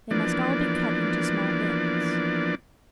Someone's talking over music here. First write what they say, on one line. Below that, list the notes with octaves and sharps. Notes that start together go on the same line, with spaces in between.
They must all be cut into small bits.
E3 F3 A#3 B3 D4 D5